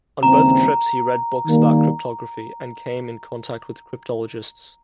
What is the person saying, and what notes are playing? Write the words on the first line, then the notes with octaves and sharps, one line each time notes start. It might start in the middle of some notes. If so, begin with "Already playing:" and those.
On both trips, he read books about cryptography and came in contact with cryptologists.
D#2 C#3 E3 G3 C4 A#5
D#3 G3 A#3